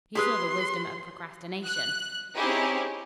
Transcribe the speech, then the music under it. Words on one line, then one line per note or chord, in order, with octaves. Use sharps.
He saw the wisdom of procrastination.
G4 G#4 B4 C6
F#6
C4 C#4 D#4 E4 G4 G#4